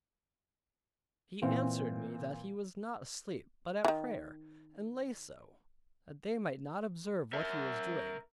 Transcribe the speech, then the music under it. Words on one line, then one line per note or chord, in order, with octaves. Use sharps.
He answered me that he was not asleep, but at prayer; and lay so, that they might not observe what he was doing.
A#2 E3 C4 F5
D#3 E3
A#4 E5